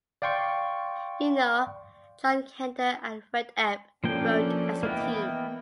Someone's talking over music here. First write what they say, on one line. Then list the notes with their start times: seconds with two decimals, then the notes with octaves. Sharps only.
You know, John Kander and Fred Ebb wrote as a team.
0.22 D5 F5 G5 C6 C#6
4.04 F3 A#3 C#4 D4 A4 G5
4.83 E3 A#3 B3 D#5 G5